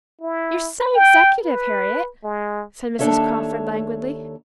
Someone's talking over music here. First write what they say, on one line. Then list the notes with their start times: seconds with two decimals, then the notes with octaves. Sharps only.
"You're so executive, Harriet!" said Mrs. Crawford, languidly.
0.21 E4
0.95 G5
1.45 B4
2.24 G#3
2.99 D#2 C#3 D4 A4 C#5 E5